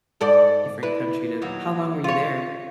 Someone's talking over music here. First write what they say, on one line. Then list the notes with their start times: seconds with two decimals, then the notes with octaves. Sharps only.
different country to how long were you there
0.21 G#2 A4 D5
0.83 E4 B4
1.42 D#2 F#3
2.04 F4 C#5